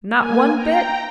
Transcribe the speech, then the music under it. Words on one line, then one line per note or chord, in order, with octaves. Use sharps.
Not one bit?
A#3 G#5
G5 A#5